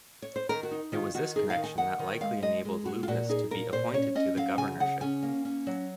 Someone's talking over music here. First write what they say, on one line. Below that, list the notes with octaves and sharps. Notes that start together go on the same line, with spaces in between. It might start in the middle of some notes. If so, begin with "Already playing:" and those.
It was this connection that likely enabled Lupus to be appointed to the governorship.
C#5
C5
D#3 A#4
F#4
D#4
D#3 F4
D#3 F#4
D#4 G#4
F5
D#3
G#5
D#3 F#5
D#3
G#3 F5
G#3 D#5
G#3
G#3 F#4
F4
A#2 F#4
D#4 G#4
A#2 A#4
A#2 C5
C#4 C#5
C#4 D#5
F#3 F5
C#3 G#5
C#3 F#5
C#4 G#5
A#3
C#4
F#3